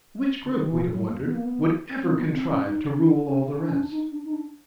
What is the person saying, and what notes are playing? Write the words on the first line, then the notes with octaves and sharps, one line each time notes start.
Which group, we'd have wondered, would ever contrive to rule all the rest?
D3
D#3
E3
F3
F#3
A#3
B3
A#3
B3
C4
B3
C4
C#4
D#4
C#4
D4
C#4
D4
C#4
D4
D#4
D4
D#4
D4